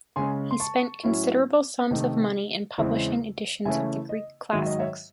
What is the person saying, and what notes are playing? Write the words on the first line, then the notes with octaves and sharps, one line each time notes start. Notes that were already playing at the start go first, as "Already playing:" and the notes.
He spent considerable sums of money in publishing editions of the Greek classics.
C#3 G#3 C#4 G#5 C6
C6
A5 C#6
A2 F#3 C#4 E4
C3 D#3 A3 D#4
E2 C#3 G#3 C4 E4
C#3 E3 A3 C#4 E4 E5 G#5
D#5
G#2 D#3 F#3 E5
D#5
C#5 E5